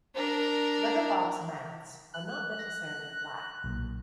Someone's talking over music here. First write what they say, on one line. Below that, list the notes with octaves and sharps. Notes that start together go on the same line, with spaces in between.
Letterbox mattes are not necessarily black.
D4 A#4
F#6
A#6
B1 A#2